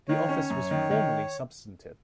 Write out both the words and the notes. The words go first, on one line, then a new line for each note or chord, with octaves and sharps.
The office was formerly substantive.
D#3 C#5
C#4
F#2
D#3
D#3